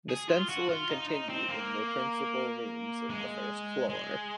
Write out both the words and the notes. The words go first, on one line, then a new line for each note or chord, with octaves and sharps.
The stenciling continued in the principle rooms of the first floor.
G#4
F4
F#4
F4
D#4
D#4
C4
A#3
G#3
G#3